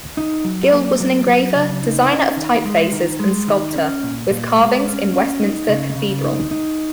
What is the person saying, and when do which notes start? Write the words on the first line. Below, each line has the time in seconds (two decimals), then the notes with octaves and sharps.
Gill was an engraver, designer of typefaces and sculptor, with carvings in Westminster Cathedral.
0.17 D#4
0.44 F#3
0.72 A#3
1.00 F#3
1.27 F#3
1.55 C#3
1.82 D#4
2.10 C#4
2.37 D#3
2.65 G#3
2.92 D#3
3.20 G#3
3.48 D#3
3.76 C#4
4.03 A#2
4.30 A#2
4.58 G#3
4.86 C#4
5.14 C#4
5.41 D#4
5.68 C#3
5.95 C#3
6.24 D#4
6.51 D#4